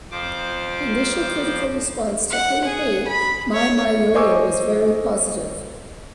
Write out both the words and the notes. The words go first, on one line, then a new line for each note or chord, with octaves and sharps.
Initial critical response to "Hey Hey My My Yo Yo" was very positive.
F2 F3 C5 D6
F#5
G#4
B5
C#5
C5 D#5 G#5 C#6 D6 E6